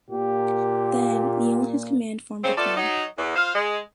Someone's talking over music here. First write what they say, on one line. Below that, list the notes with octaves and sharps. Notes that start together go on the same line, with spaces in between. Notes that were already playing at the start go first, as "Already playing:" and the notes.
Then, Neill and his command formed a plan.
A#2 G4
C#3 C4
A3 B3 F4 A4 D5
F#3 D#4
E2
F4 C5 F5
G#3